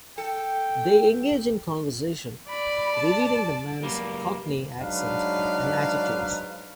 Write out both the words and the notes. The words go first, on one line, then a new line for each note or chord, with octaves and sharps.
They engage in conversation, revealing the man's Cockney accent and attitudes.
A4 G5
D5 B5
A5
C#2 F#2 G3 A#3
G#2 F#3 D4 D#4 B4 F5